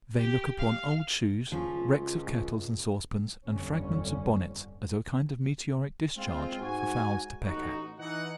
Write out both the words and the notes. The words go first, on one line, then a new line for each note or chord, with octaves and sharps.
They look upon old shoes, wrecks of kettles and saucepans, and fragments of bonnets, as a kind of meteoric discharge, for fowls to peck at.
G4
F5
C#2 F3 C#4
G1 F2 D3 C#4
G#3 C4 F4
G#2 F#4 G#5
A1 D#4 F#4
E3 D#4 F#5